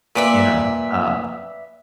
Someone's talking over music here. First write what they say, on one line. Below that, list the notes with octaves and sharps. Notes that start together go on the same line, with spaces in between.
you know, uh
A#2 B4 D5 E5